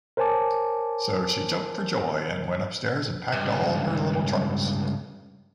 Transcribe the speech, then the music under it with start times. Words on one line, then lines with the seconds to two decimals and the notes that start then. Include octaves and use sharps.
So she jumped for joy; and went upstairs and packed all her little trunks.
0.17 A#4 C5 C#5 G#5 A5 D6
3.33 C#2 G2